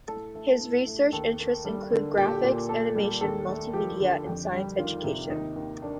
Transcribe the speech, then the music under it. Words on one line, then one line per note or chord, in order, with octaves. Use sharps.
His research interests include graphics, animation, multimedia, and science education.
A2 A4
A3
A2
A3
D#2 A4
A#3
G3 A4
D3
A#2 G4
A4
G4
A#2
A#3 A4
G3
D#2 A4
A3
F3 G4
D3
F2
G3
D#3 F4
C3
D#2 D#4
D#2
A#3 D4